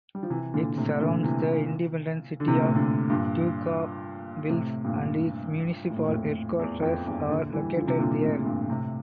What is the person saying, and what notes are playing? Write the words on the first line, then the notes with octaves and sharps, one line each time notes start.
It surrounds the independent city of Daugavpils and its municipal headquarters are located there.
G3
F3
C3 E3
A#2 D3
A2 C3
A#2 D3
C3 E3
D3
C3
A#2
A2 C3
A#2 D3
G2 A#2
A2 C3
G2 A#2
A2
A#2
F2 A2
E2
F2
E2 G2
A#2 D3
E3 G3
D3 F3
C3
A#2 D3
A2 C3
G2 A#2
A2 C3